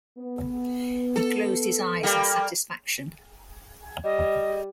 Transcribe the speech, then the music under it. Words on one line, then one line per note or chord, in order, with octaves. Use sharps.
He closed his eyes in satisfaction.
B3
A4
G3 A#3
G3 D#5